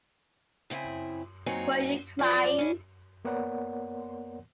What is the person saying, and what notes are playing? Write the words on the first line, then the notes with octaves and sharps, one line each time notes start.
Were you crying?
C#3 C4 E4 F#5 G#5
A#2 F#3 C4 D#4 C#5 G#5
F#2 F3 D5
C#4 D4 E4
A#3 B3 A#4 C#5 D5 F#5